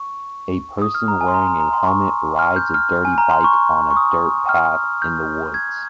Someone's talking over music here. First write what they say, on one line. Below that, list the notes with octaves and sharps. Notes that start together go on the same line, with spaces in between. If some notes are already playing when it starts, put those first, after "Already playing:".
A person wearing a helmet rides a dirty bike on a dirt path in the woods.
Already playing: C#6
D#6
F6
A#5
G#5
C6
A#5
A#5
A#5
C6
C#6
F6
G6
F6
G#5
A#5
C6
C#6
C#6
D#6
F6
G6
G#6